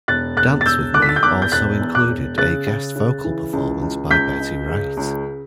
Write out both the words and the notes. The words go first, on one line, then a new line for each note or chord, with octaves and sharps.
"Dance With Me" also included a guest vocal performance by Betty Wright.
E1 F#6 A6
E1 F#6 A6
A6
E1 E6 G6
D3 D6 F#6
B6
A6
G6
E2 D6 F#6
G6
E1 F#6 A6
E2
D6 F#6
E1
C#3 F#6 A6
C#3
C#3
E3
C#2
C#2
C#2 G6 B6
C#2
C#3
C#2